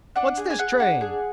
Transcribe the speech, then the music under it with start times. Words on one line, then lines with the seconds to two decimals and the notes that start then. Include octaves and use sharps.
"What's this train!"
0.16 D4 F#5
0.37 G#4
0.50 G#5
0.59 G#4 F#5
0.79 D4 F#5
1.01 G#4